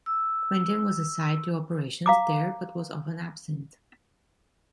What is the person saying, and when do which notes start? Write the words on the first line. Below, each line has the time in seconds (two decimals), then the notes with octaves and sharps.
Quentin was assigned to operations there but was often absent.
0.06 E6
2.06 F5 A#5 D6